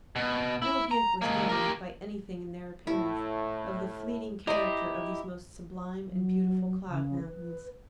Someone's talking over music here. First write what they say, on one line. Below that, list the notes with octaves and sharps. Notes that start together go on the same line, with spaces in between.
No hint was given, by anything in their appearance, of the fleeting character of these most sublime and beautiful cloud mountains.
B2
E4
A#5
G#3 A#3
G4 A#4
A2 E4
E4 G4 D5 D#5 A#5 C6 E7
F#3
C#3
B4